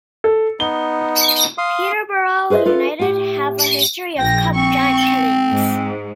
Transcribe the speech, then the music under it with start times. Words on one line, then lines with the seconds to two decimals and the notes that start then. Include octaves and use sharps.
Peterborough United have a history of cup giant-killings.
0.24 A4
0.60 B3 D#4 G7
1.58 F5 C6 D#6
2.50 G#4 B4 C5 D#5 E5
2.66 F4 A4 B4
2.99 A2 G4
4.18 A#1 G5 A#6
4.55 C4 C#6
5.48 G#2